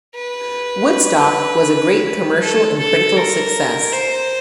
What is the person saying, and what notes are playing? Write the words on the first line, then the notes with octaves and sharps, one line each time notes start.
"Woodstock" was a great commercial and critical success.
B4
A4
A4
A#4
C5